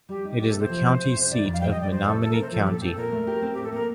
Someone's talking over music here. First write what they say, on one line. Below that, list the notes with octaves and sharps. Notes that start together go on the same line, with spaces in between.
It is the county seat of Menominee County.
G3 G4
D#4
A#3 G4
A4
C3
C5
F3
C3
C4
C3
D#3 D5
F2
F5
G3 G5
D#5
F2
D5
G3 C5
C3 A4
A#3 A4
A#4
C3
C5
F3 A4
G4
A#2 A4
C4 A4
A#2 A#4
A3
G4
C4
A2 G4
A4
A#3 A#4